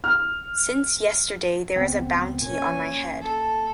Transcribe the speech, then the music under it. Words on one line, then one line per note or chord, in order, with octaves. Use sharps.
Since yesterday there is a bounty on my head.
F6
C#2 B3 C4
A#2 C#4 G#5
A4